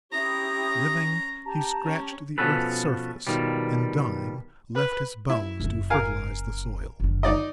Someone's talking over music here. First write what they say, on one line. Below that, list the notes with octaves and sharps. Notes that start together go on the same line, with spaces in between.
Living, he scratched the earth's surface, and dying, left his bones to fertilize the soil.
C#4 E4 G4 A#5 D#6
G4 A5 A#5
C#4
B2 F3 B3 C#4 A4 B4
B2 D#3 F3 G3
B4
E4
F#1 C#4
A#4 F5 G#5
F#1 D3
D#4 D5 D#5